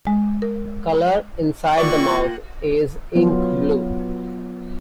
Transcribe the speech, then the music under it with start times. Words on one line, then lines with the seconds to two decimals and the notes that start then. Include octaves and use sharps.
Color inside the mouth is ink-blue.
0.07 G#3
0.42 A#4
1.78 E3 A#3 F4 D5 F#5 G5 C#6
3.15 F#3 B3 F4